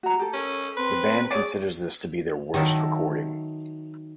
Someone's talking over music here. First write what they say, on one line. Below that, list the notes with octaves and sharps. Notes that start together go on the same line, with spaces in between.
The band considers this to be their worst recording.
F#4 A#5
G4 A4
C#4 A4 A#4
C4 B4 C6
G#4 C#5 D5 G#5
D#3 F#3 D#4 E4 A4